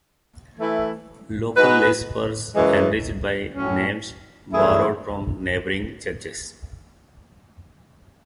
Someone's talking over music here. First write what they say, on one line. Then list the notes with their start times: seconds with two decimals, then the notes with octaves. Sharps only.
Local lists were enriched by names borrowed from neighbouring churches.
0.58 E3 A3 E4
1.57 G#3 D#4 F#4 B4
2.56 F#2 C#3 E3 G#3
3.54 A2 F#3 C#4
4.53 F#2 E3 A3 E4 G#4